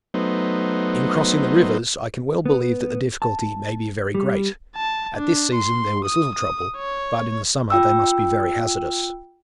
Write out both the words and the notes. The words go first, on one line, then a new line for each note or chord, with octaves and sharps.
In crossing the rivers I can well believe that the difficulty may be very great: at this season there was little trouble, but in the summer they must be very hazardous.
F#3 A3 B3 D#4 C5
B3
A5
G3
A5
D4
C6
D#6
D#6
C#5
F4 G5 E6